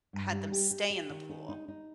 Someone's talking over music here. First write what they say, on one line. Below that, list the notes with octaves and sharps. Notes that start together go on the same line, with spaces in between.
had them stay in the pool
G2
G3
G4
G4
G4
D#3
D#4
D#4
D#4